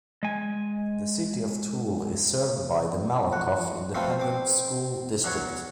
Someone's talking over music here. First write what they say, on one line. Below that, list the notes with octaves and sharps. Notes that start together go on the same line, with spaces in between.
The City of Tool is served by the Malakoff Independent School District.
G#3 G#5
F#4
B2 F3 A3 C4
C4 D6
E2 F#3 C#5